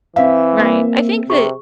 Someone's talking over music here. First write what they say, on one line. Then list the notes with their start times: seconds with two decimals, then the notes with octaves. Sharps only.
Right, I think that
0.16 E3 C4 E5 F5
0.58 A#3
1.30 C3 G#4 C#6